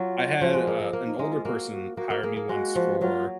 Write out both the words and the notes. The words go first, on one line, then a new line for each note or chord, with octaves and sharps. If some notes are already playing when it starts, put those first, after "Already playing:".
I had, uh, an older person hire me once for
Already playing: F#3 F4
F3 F#4
G#3
A#3 G#4
A#3
A#3
D#4
G#3 D#4
F4
A#3 F#4
F#4
A#3 F#4
A#3
A#3 G#4
A#3
G#3 F#4
F3
F#3 F4